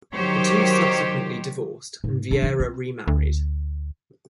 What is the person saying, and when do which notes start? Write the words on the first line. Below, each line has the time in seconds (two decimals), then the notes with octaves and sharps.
The two subsequently divorced and Viera remarried.
0.14 D#3 F#3 G4 C5 C#5
2.04 G#2
2.31 D4
2.42 E3
2.60 C4
3.08 D2